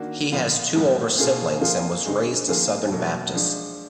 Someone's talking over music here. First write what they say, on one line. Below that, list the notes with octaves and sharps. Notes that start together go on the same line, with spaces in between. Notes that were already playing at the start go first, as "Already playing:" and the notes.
He has two older siblings and was raised a Southern Baptist.
Already playing: D#3 A#3 D4 F#4
A#2 F3 B3 F4
G#2 F3 B3
B2 A#3 F4 G#4
F3 A#3 F4 G#4
D3 G#3 D#4 G#4
F2 D#3 A#3 F4 G#4
B2 F#3 A#3
F3 G#3 D4